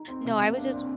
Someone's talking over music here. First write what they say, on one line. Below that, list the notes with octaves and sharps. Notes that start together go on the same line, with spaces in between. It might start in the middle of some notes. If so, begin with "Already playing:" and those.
No, I was just
Already playing: D#4
C4
C3
A#3
D4
C4